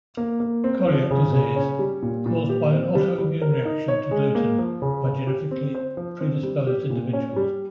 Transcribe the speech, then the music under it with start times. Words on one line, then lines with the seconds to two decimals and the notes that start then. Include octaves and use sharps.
Coeliac disease - caused by an autoimmune reaction to gluten by genetically predisposed individuals.
0.17 A#3
0.40 A#3
0.64 C4
0.86 F3
1.10 C#3
1.33 C#3
1.56 C#4
1.79 G3
2.02 A#2
2.26 A#2
2.49 G4
2.73 C4
2.95 G3
3.18 G3
3.42 A#4
3.65 D#4
3.88 C#5
4.11 G#3
4.35 A#3
4.59 F3
4.82 C#3
5.04 C#3
5.27 G4
5.51 C4
5.75 C5
5.97 F3
6.20 C4
6.43 G3
6.67 G4
6.90 A#2
7.13 C#4
7.36 G3